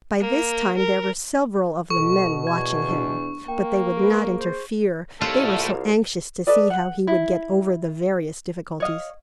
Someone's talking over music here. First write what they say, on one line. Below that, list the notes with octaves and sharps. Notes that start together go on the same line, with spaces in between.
By this time there were several of the men watching him, but they would not interfere, they were so anxious to see how he would get over the various difficulties.
A#3
A#4
B2 A4 C#6
E2 G#6
D4
A#3 G5
G#4 B4
C5
C2 A3 E4 F4 A4
A4 B4 D5 D#5
F#5
E4
C#5 D#5 F5